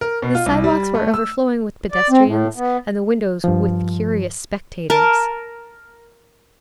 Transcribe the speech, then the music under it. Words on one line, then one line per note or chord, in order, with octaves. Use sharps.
The sidewalks were overflowing with pedestrians and the windows with curious spectators.
A#4
B2
F4
C2
G3
A3
E6
D5
C4
A2
B3
G2 F3
A#4 A5